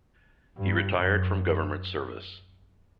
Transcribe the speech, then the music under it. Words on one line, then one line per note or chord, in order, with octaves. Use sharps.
He retired from government service.
G2
F#2